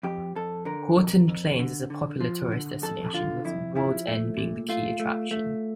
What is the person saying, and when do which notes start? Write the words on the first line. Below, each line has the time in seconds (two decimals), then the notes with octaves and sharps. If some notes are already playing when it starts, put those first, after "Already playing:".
Horton Plains is a popular tourist destination, with World's End being the key attraction.
0.03 F2 G4
0.35 F2 A4
0.65 D3 A#4
0.97 F2
1.28 F2
1.59 D3
1.90 D3
2.21 F3
2.52 D3
2.82 F2 A4
3.13 D3 F4
3.45 F2 E4
3.75 F3 E4
4.07 A3
4.38 A#2
4.69 A3 F4
5.00 A3
5.31 A3